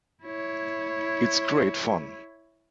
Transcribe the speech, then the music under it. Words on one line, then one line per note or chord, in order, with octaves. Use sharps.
It's great fun.
E4 C#5